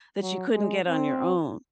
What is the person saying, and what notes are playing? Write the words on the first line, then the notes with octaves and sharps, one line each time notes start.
that you couldn't get on your own.
F#3
G#3
C4